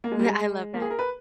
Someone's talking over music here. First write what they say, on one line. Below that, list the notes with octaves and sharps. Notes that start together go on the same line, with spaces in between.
Yeah, I love that.
A#3
G#3
G3
G#3
A#3
G#4
A#4
B4